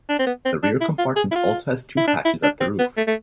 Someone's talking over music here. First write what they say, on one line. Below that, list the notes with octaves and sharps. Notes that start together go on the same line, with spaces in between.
The rear compartment also has two hatches at the roof.
D4
C4
B3
C4
D4
E4
F4
G#4
E4
F4
E4
D4
E4
D4
C4
B3
A3
A3